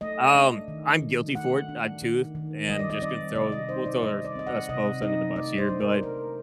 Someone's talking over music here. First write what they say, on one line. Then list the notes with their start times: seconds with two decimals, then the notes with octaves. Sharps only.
Um, I'm guilty for it, uh too, and just gonna throw we'll throw us both under the bus here, but, like,
0.01 A3 D#5
0.35 D4
0.68 D#3
1.01 D#3
1.35 A3 F#5
1.69 D4
2.02 D#3
2.35 D#3
2.69 G3 D#5
2.79 D5
2.90 D#5
3.02 C4 D5
3.35 C3 D5
3.52 D#5
3.69 D#4 C5
3.86 D5
4.02 G3 D#5
4.25 D5
4.35 C4 D#5
4.47 F#5
4.69 C3 D#5
5.02 D#4 D#5
5.36 A3 D5
5.58 C5
5.69 D4
5.80 A#4
6.03 F#3 A#4